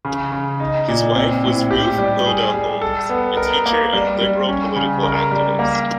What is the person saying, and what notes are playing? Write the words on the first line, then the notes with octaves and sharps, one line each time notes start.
His wife was Ruth Hilda Holmes, a teacher and liberal political activist.
C#3
C#3
D#4
A#2
C4
A2
G4
G3
G#4
G3
A4
B3
A#4
A#3
G3
G3
C#4
C#3
A#4
G3
A#3